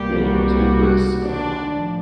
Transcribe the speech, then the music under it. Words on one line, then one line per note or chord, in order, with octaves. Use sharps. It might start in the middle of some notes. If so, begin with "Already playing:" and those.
getting into was, um,
Already playing: C2 B2 G3 A#3 G4
F#4
D4
A2 F3